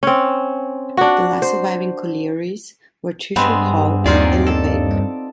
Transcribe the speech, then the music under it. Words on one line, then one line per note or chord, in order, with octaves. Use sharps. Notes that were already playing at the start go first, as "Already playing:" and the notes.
The last surviving collieries were Chisnall Hall and Ellerbeck.
C4 C#4
D4 F#4
C5
G2 G#3 B3 C4
D#2 C4 D#4 F4 G#4 D5
A4